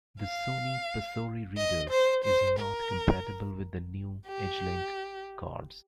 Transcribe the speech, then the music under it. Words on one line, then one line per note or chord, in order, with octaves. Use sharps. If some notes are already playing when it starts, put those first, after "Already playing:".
The Sony PaSoRi Reader is not compatible with the new ez-link cards.
F5
D#5
C5
C5
A#4
G4